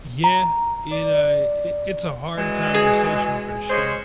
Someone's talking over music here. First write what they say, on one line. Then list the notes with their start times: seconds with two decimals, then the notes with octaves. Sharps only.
Yeah. It, uh, i it's a hard conversation for sure.
0.24 A#5
0.91 D5
2.38 E3 F#3 G#3
2.74 G#4
3.70 G#3 C#4 C5